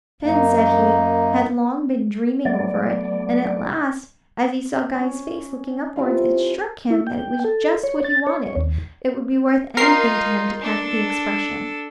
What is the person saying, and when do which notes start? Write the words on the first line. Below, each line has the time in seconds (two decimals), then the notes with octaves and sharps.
Shene said he had long been dreaming over it, and at last, as he saw Guy's face looking upwards, it struck him that it was just what he wanted: it would be worth anything to him to catch the expression.'
0.23 F#2 A#3 D#4
2.45 F#3 A3 B3 D5
4.92 C#4
5.96 C3 E4 F4 F5
6.91 E4
7.07 G5
7.44 A4
7.84 C#5
8.04 A6
8.27 C#5
8.56 D#2
9.77 D#4 F4 A#4 C7
10.61 D4 A4